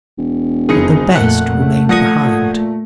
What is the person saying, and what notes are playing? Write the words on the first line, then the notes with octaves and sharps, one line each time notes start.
But the best remained behind.
E1
F#1 F2 D#4 G#4 C#7
F2 A#2 A3 A#3 F#5 F#6
C#3 A3
A#2 F3 F#5 D#6 G#6 A#6 C#7
A#2